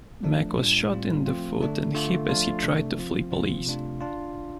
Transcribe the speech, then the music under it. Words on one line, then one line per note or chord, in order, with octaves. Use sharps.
Mack was shot in the foot and hip as he tried to flee police.
F3 A3 D4
A2 G3 D4 F4
A2 G3 C4 F4
F3 A3 C4 F4
D3 A3 D4
D3 A3 F4
F3 A3 D4 F4
C3 A3 D4
F3 C4 F4
C3 F3 C4 F4
C3 A3 D4 F4
D4 F4